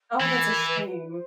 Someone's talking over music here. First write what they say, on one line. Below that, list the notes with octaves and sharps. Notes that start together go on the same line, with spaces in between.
Oh, that's a shame.
E3 C5
A#4
B4
B4
C5